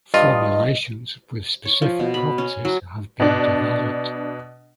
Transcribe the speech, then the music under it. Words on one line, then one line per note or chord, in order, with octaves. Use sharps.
Formulations with specific properties have been developed.
G2 F4 D#5
C#5
F3
B2
B5
C#4
F#3
B2 D4